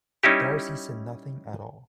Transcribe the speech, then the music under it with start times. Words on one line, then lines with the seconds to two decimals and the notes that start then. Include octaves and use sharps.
Darcy said nothing at all.
0.23 G3 C#4 D#4 E4 G4